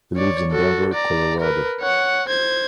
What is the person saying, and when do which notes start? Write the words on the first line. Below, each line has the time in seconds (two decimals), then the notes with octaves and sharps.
He lives in Denver, Colorado.
0.17 C#5 D5
0.51 F#4 A4
0.93 D5 A#5
1.40 A#4 B4
1.80 C#5 F#5
2.28 C5 G#6